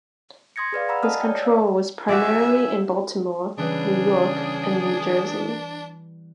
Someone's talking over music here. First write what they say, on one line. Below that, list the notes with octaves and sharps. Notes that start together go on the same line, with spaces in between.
His control was primarily in Baltimore, New York, and New Jersey.
C6 D#6 G#6 A#6 C#7
G#4 B4 D5 F5
F#5 A#5 B5 E6
D5 D#5 G#5 A5 D#6 F6
C#5 D5 G5
F5 E6
F#4 G4 D5 E5 G#5
C#3 E3 G3 B3 D4 G#4